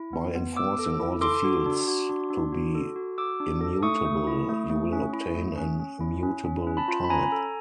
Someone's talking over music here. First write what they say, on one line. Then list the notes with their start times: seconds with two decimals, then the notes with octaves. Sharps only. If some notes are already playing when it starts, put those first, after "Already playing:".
By enforcing all the fields to be immutable, you will obtain an immutable type.
Already playing: E4
0.13 B3
0.35 B3
0.56 B3 D6 E6
0.79 A4
1.00 E4
1.21 A4 C6 D6
1.44 F#4
1.66 D4
1.87 F#4
2.10 D4
2.30 D4
2.52 F#4
2.75 A4
2.96 F#4
3.18 F#4 D6 E6
3.40 D4
3.61 A4
3.83 A3 C#6 D#6
4.05 A3
4.27 E4
4.49 A3
4.70 A3
4.93 C#4
5.13 E4
5.36 A3
5.58 C#4
5.80 C#4
6.00 E4
6.23 C#4
6.45 C#4
6.67 C#4
6.77 A5 B5
6.88 F4
7.04 B5
7.09 C#4 G#5 A#5
7.32 A4